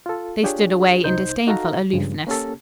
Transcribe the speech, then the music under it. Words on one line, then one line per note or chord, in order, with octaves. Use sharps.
They stood away in disdainful aloofness.
F4 A4
D4 F4 G4 G#4 C#5
C2 D#4 C5 G6
D#4 F#4 A4 F5 A#5
G2 C#3 F3 G3 G#3
A#3 C#4 G4 A4